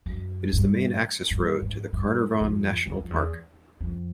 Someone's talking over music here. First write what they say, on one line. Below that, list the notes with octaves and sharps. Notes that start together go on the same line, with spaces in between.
It is the main access road to the Carnarvon National Park.
F#2
G2
G2
G#2
G2
F2
E2
F2
E2
F2